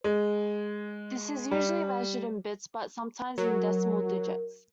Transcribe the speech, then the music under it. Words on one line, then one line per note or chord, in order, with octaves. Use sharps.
This is usually measured in bits, but sometimes in decimal digits.
G#3
G3
F#3 A#4